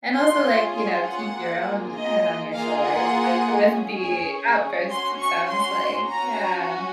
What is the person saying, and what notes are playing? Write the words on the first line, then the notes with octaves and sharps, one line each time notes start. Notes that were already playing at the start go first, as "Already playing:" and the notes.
And also, like, you know, keep your own head on your shoulders with with the outbursts, it sounds like. Yeah.
C#4 F4 G#4 C6
G#5
F#5
A#3 F4 G#4
D#5
A#3 F4 G#4 F5
F#5
C#4 G#4
G#5
C#4 F#4 C6
C#6
C6
C#4 F#4 A#5